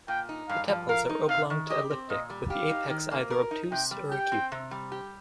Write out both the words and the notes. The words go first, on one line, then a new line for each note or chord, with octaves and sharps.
The tepals are oblong to elliptic with the apex either obtuse or acute.
A#2 G5
D#4
G2 F5
F3
A#4 F5
D#4
C3 F5
D#3
G4 D#5
C4
A#2 D#5
G3
G4 F5
D#4
D#3
A#3
A#4
D#4
C3 G5
G3
G4 G5
C4
C3
G3
G4